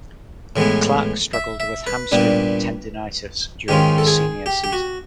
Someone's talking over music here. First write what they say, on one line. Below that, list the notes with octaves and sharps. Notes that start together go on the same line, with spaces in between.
Clark struggled with hamstring tendinitis during his senior season.
A2 E3 G#3 B3
E5
E5
B4
A#2 G3 B3 D4
G#2 D#3 G#3 C#4 F4 G4
A4
G#4
G4
G4
F#4